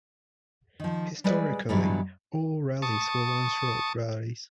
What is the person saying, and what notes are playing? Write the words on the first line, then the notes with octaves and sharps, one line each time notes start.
Historically, all rallies were once road rallies.
D#3 F3
G3 G#3 G#4 B4 D5
G2 B2 D3 E3 F#3 G3
A5 C#6 D#6